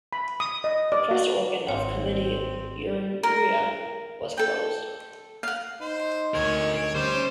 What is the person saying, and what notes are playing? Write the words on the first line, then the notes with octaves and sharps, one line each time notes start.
The press organ of the Committee, "Unirea" was closed.
B5
D#6
D#5
D5
F#4
G#1 C4 C#5
A#4
A4 G5
F5 F#5
D#4 C5
D2 A#4 C#5 G#5
G3 C#4 C5